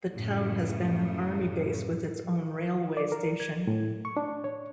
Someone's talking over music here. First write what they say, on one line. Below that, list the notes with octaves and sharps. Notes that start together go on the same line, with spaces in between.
The town has been an army base with its own railway station.
F#2 A2 C#3
D5
A#4
G#6
A2
C#6
D4
C#5